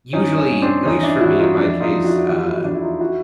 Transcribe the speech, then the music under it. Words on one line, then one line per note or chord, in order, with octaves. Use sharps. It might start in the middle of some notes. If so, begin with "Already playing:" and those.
usually at least for me in my case, uh,
G2 C#4 D#4
C#4
G2
C4 D4
E2 C#4 D#4
D4 E4
E2 E4 F#4
D#4 F4
F2 D4 E4
D#4 F4
F2
E4 F#4
E2 F4 G4
E4 F#4
E2 D4 E4
E4
D#4 F4
E4 F#4